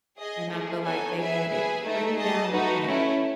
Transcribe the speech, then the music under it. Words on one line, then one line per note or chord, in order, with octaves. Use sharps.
and I feel like they had it pretty down pat
G#4 D#5 G#5
A3 E4 G#4
B3 D#4 A4 C#5 G#5
G#4 B4 E5 G#5
G#4 B4 E5 G#5
A3 D#4 A4 E5
G#4 D#5 A5
A3 D#4 F#4 B4
A3 C#4 E4